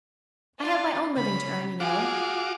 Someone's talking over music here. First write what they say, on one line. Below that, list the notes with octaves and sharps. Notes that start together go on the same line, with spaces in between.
I have my own living to earn, you know.
D4 F4
C#3 B5
F4 F#4 G#4 D6